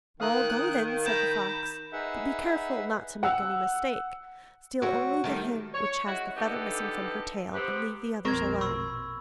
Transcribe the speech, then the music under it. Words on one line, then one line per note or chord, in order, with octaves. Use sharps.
'Well, go then,' said the fox, 'but be careful not to make any mistake. Steal only the hen which has the feather missing from her tail, and leave the others alone.'
D#3 A#4 F5 D#6 F#6
A#5 B5 G6 E7
D#4 G#4 B4 E5 F#5
F#5 E6
C4 C#4 F#4
D#3 G3 A3
C#5
G#3 C#4 E4 F#4
D3 E3 B3 D#4 G4 A4
C3 B3 C4 G4 B4
A#1 F2 B2 C4 A#4 C#6 G#6
B5 C#6 E6